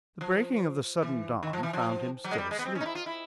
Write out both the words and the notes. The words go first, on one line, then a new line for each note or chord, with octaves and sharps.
The breaking of the sudden dawn found him still asleep.
F3
E3
D#3
F3
E3
F3
F#3
G#3
G3
G#3
B3
C4
C#4
D#4
E4
F4
E4